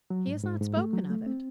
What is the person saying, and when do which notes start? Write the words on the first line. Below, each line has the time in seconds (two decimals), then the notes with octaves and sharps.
"He has not spoken of it."
0.10 F#3
0.27 G#2
0.43 G#2
0.60 G#2
0.77 A3
0.93 F#3
1.10 A3
1.26 C4